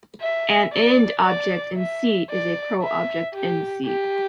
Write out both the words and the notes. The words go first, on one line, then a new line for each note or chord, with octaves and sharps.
An ind-object in "C" is a pro-object in "C".
E5
D5
D5
E5
D5
E5
G4
G4